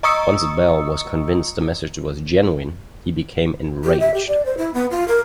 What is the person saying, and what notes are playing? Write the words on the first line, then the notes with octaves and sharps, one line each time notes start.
Once Bell was convinced the message was genuine, he became enraged.
D#5 A#5 C#6 D#6 E6 C#7
G4
E5
G4
D5
C5
E4
B3
F4
A#4